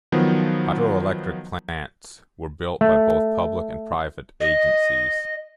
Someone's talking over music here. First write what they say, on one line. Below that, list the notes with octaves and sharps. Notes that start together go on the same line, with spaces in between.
Hydroelectric plants were built by both public and private agencies.
D#3 F3 F#3 B3
A3
D#5